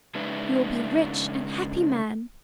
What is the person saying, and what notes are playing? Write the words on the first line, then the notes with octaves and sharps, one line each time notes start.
You will be a rich and happy man!
C#3 G#3 D4 D#4 B4 E5